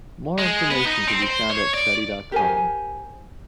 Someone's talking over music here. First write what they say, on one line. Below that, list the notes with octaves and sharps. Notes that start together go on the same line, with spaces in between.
More information can be found at Study dot com.
G#3
B3
D#4
C4
C5
C#5
D5
G4 A#4 C5 G#5